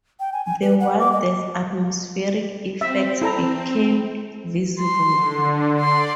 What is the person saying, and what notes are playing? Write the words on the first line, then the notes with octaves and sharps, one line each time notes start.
The wildest atmospheric effects became visible.
G5
G#5
G#5
B4
F#5
D6
D#5
C4 E5
E4 A4 A#5
C6
D3
D5 C6